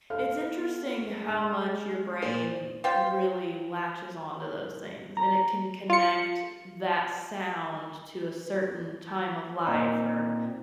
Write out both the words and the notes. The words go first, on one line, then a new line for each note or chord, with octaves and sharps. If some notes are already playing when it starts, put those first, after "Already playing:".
it's interesting how much your brain really latches onto those things and it can connect that sound to a certain time of life or,
A4 F5 F6
B3
G#3
G#5 F6
A#2 C5
F4 G4 C5 G5
A#5
F4 C#7
A#2 C4 D#4